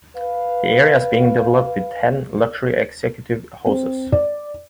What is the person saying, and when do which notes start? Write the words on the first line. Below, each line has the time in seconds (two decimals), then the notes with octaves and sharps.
The area is being developed with ten luxury executive houses.
0.16 B4 F5
3.66 C4
4.12 D5